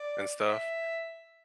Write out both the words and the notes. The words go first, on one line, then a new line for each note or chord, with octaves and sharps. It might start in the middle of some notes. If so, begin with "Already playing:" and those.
and stuff,
Already playing: D5
E5